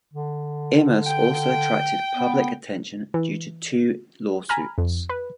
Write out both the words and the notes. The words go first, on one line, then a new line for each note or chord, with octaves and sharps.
Imus also attracted public attention due to two lawsuits.
D3
G5
B3
E3
G#5 A#5 B5 F6
F2
B4